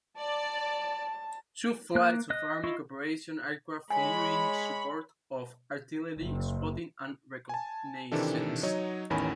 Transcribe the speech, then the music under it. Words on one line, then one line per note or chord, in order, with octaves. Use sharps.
Two flights of Army Cooperation aircraft flew in support of artillery spotting and reconnaissance.
D5 A5
A#3 F#6
D#5 F#6
E4 F4 D#5 C#6
G#3 C#5 G#5 B5
F#1
G#5 A5
C3 D#3 E3 D4 A4
F#3 D#4 C#5 D#5
A1 E2 D#3 C#4 G#5 B5